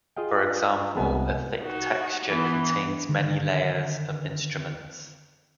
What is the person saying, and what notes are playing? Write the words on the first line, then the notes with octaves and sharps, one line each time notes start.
For example, a thick texture contains many "layers" of instruments.
F4 G#4 D#5 F5 G5
C2 G#3 B3 G#4
D#4 F#4
E3 B3
D3 D#3